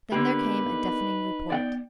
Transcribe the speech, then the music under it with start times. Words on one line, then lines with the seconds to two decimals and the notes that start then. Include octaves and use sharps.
Then there came a deafening report.
0.12 D3 A#3 B3 G4 B4
0.63 D#4
1.50 B3 D5 F#5 G5